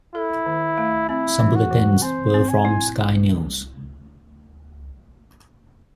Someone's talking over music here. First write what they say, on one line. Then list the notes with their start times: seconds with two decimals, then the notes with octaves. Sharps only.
Some bulletins were from Sky News.
0.15 E4 A4
0.46 D#3
0.78 A3
1.09 C4 E4
1.39 E3
1.56 F#4
1.71 E3
2.02 C4 C5
2.34 C4
2.50 G#5
2.65 E4